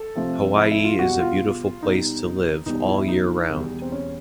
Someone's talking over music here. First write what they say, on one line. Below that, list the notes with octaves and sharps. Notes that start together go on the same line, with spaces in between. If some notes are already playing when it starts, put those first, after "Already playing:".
Hawaii is a beautiful place to live all year round.
Already playing: A4
C3 F3 A3
E4
E4
F4
B2 G3 F#4
F4
B2 G3 D#4
E2 B2 G3 D#4
E4
D#4
E2 B2 G3
C4
C#4